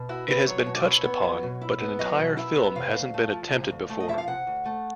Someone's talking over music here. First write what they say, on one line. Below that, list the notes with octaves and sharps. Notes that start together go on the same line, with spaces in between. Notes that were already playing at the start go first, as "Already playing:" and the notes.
It has been touched upon but an entire film hasn’t been attempted before.
Already playing: B2
E4 F#4
B3 B4
F#3 C#5
B2
D5
E4 C#5
B3
F#3
B2
E4
B3
F#3 D#5
B2
E4 E5
B3
C3 F5
D2
A3
F3
C3
D2
A3
D#5
F3 E5
F5
C3 F#5
D2
A3